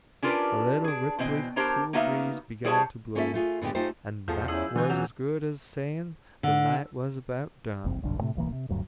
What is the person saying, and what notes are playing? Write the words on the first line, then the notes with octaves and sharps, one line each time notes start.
A little ripply, cool breeze begun to blow, and that was as good as saying the night was about done.
C#4 D4 F4 G4 A#4 B4
D4 G#4
B2 E3 C4 D#5
D4 G4 A#4 C5 C#5 A#5
A#3 B3 D#4 F#4 E5 F5
G3 E4 G#4 C5 C#5 A5
A#3 C#4 F4 A4 C#5 E5
A3 F4 G#4
A2 D3 G#3 A3 B3 G4
A3 D#4 F4 G4 G#4 C5
E2 F3 G#4 A4 G6
C#4 E4 G#4 E6 F#7
D3 E3 G#5 G6
E2 F#3 C#4 F4
D3
F#1 C2 F2 C4
F1 B1 G2 D3
A2 C3 A3
D1 B1 E3 A#3
C3
D1 D2 G2 F#3